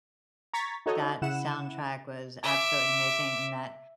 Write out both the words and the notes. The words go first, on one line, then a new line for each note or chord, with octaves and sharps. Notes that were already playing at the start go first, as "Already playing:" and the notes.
that soundtrack was absolutely amazing in that
A#5 C#6 G#6 A6 B6
D#4 F#4 A4 C#5 D#5
C#3 E4 F#5 E7
E5 D6